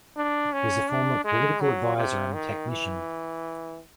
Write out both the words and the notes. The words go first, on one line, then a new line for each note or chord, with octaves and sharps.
He is a former political advisor and technician.
D4
C#4
D4
G#3
F#3
C3
D#3
E3